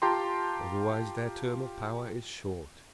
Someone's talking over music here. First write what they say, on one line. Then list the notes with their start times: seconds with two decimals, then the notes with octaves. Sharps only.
Otherwise their term of power is short.
0.02 F4 G4 G5 A5 A#5 C6